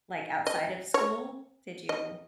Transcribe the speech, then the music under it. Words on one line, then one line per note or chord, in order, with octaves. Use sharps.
like, outside of school? Did you
D#5
C#5
D#5